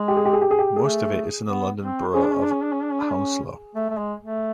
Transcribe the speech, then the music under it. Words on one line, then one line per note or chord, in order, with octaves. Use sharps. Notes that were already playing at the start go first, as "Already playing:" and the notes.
Most of it is in the London Borough of Hounslow.
Already playing: G#3
G4
G#4
G4
G#4
G4
G#4
G4
A3 G#4
B3
C4
C#4 G#4
D4
C#4
D4
C#4
D4
C#4
D4
C#4
D4
C#4
A3
A3
G#3
A3